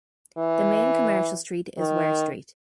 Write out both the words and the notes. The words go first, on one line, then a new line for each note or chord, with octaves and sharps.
The main commercial street is Were Street.
E3
D#3